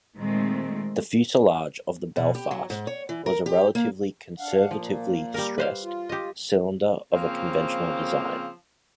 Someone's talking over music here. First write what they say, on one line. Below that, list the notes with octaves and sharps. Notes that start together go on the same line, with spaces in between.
The fuselage of the Belfast was a relatively conservatively-stressed cylinder of a conventional design.
A#2 D#3 G#3 A3 C4
B2
G4
F#3
G#2
C#5
E3
A#4
G4
A#3
D4 F5 F#5
A#2 F3 A#3
G3 A#4
B4 C5 F5
F4
G4 D#5
C#3 F3 A#3 C4